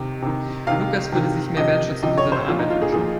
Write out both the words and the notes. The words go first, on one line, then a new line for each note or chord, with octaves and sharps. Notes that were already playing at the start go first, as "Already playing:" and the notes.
Lukas würde sich mehr Wertschätzung für seine Arbeit wünschen.
Already playing: C3 D#3
C3 D#3
C3 D#3 F5
C3 D#3
C3 F3 D#5
C3 F3 D#5
C#5
C5
A#2 F3 F4
D#4
F4
G#4
A#2 F3 G#4